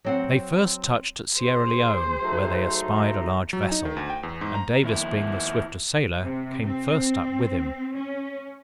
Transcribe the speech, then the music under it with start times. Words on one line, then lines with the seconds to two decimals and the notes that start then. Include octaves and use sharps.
They first touched at Sierra Leone, where they espied a large vessel, and Davis being the swifter sailer, came first up with him.
0.05 F#3 C4 F#5
1.37 G#4 C5
2.22 F#3 A3 D#4
3.53 F#3
3.72 D#4
3.85 D#3
3.97 D2
4.10 G5
4.23 E2
4.41 G#2
4.55 A#5
4.83 D#2 E4
6.22 C3
6.65 C4
7.96 C#4